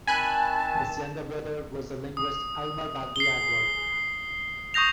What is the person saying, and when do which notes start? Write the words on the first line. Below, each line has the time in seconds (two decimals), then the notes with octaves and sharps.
His younger brother was the linguist Elmer Bagby Atwood.
0.08 D#3 C4 G#5 A5 B5 F#6
2.17 D#6
3.16 C7 G7
4.74 C#6 D#6 G6 A#6 F7